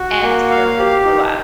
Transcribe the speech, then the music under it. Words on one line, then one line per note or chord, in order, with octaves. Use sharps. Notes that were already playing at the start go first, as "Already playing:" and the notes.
And so this blew up.
Already playing: F#4
A#3
F5
G4
D#4